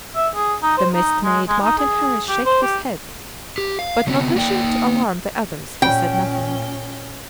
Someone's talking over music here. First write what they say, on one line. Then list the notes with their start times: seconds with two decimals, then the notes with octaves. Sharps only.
The mist made Martin Harris shake his head; but, not wishing to alarm the others, he said nothing.
0.15 E5
0.35 G#4
0.62 D#4
0.77 C5
0.94 D#4
1.24 G#3
1.48 G#3
1.63 D#4
1.78 G#4
2.28 G4
2.45 C5
2.63 G4
3.58 G4
3.79 F5
4.07 C#3 G#3 B3 C4
4.36 A#3 D5 G5
5.82 A#2 C#4 G5